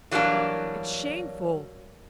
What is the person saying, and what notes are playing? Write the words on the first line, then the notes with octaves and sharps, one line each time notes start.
It's shameful!
E3 F#3 G3 A#3 D4